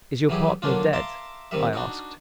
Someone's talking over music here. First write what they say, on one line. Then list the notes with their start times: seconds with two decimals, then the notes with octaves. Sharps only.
"Is your partner dead?" I asked.
0.29 E3 F#3 E4 G4 G#4
0.62 D3 F#3 A#3 C#4 D4 F4
0.93 E5 F5 A5 A#5 C6 D6
1.51 C3 D#3 G3 E5
1.73 D4 D#4 F#4